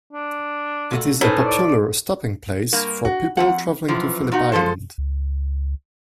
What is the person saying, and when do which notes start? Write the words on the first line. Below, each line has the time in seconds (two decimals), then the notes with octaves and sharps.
It is a popular stopping place for people travelling to Phillip Island.
0.13 D4
0.91 A#2 A3 F#4
1.21 A2 C#4 D#4 B4 C5
1.45 D5
2.73 G2 A#3
3.05 F#4
3.37 F2 F3 F#5
3.88 F#2 E3 F3
4.32 A#2 D#4 F#4
4.52 F3 G#3 A4 C5
4.98 C#2